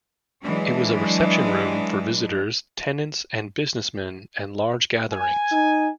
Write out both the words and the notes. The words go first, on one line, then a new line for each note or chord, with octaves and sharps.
It was a reception room for visitors, tenants and businessmen and large gatherings.
E3 F#3 G#3 D4
G#5
D#4